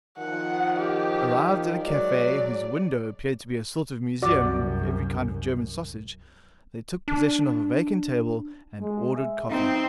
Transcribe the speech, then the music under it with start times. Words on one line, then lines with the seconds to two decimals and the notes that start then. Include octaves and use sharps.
Arrived at a cafe whose window appeared to be a sort of museum of every kind of German sausage, they took possession of a vacant table and ordered coffee.
0.19 D#3 F3 F#5
0.79 G4
1.83 F#3 G#3 D5
4.22 C2 F#2 F#4 D5
7.08 D4
8.81 G#3
9.16 E5
9.50 C4 D#4